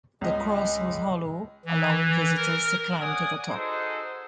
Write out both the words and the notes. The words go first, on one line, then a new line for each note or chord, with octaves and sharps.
The cross was hollow, allowing visitors to climb to the top.
C#2 G#3 D#5
E3
A#4
C#5 D5 F#5 G#5 D6 D#6
D#4 F#4 G#4 A4 C5